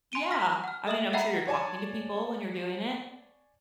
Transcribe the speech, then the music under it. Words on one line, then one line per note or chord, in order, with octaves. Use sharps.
Yeah. I mean, I'm sure you're talking to people when you're doing it.
G#5 C6 D7 D#7 G7
F6 A#6 B6
F#5 F6
A4 D#5 E5 D#6 E7 F#7
D#5 E5 F#5 G5 A#5 B5
C#5 D5 G#5 A5